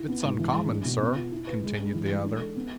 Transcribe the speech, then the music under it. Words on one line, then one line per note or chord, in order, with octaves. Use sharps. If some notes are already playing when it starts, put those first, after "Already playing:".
"It's uncommon, sir," continued the other.
Already playing: E4
B3
G#2
E3
G#3
D4
B2
B3
F4
E4
B4
G#3
D4
E3
G#3
D4
A4
B3